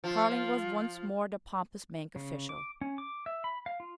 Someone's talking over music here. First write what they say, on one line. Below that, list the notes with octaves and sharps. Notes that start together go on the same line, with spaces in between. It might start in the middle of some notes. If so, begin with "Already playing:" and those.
Carling was once more the pompous bank official.
F3 F4
C#3
D6
C#4
D6
E5
B5
F5
F4